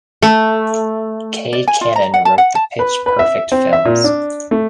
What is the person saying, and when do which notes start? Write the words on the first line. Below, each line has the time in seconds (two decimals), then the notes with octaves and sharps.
Kay Cannon wrote the Pitch Perfect films.
0.22 A3
1.53 D5
1.68 G#5
1.81 F4
1.96 A#5
2.14 F#5
2.25 A5
2.38 F#5
2.55 A5
2.79 B4
3.06 B4
3.19 E5
3.52 C4
3.73 E5
3.85 A#2
4.04 D4
4.51 A3